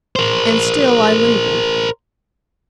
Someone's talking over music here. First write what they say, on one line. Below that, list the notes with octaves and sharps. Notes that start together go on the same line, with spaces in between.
And still I lingered.
A#4 C5